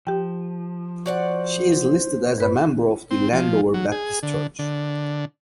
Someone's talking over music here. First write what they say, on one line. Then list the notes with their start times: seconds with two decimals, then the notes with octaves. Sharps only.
She is listed as a member of the Landover Baptist Church.
0.07 F3 G4 G5
1.06 F#4 C5 D5 F#5
2.38 G2 B4 B5
3.11 C4
3.33 F3
3.74 F#3
3.92 G#4
4.23 D3
4.59 D3